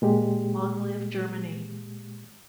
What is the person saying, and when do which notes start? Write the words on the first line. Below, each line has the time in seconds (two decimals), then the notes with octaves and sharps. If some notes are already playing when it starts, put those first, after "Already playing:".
Long live Germany!
0.02 A#2 G#3 G4